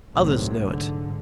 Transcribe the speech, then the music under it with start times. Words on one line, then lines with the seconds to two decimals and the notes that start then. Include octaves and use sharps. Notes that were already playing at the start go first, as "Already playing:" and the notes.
Others know it.
0.16 C2 A2 C3 D#3 F#3 A3
0.66 G#2 D3